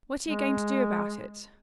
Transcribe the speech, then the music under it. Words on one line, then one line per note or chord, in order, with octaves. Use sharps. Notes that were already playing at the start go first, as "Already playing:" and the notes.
"What are you going to do about it?"
G#3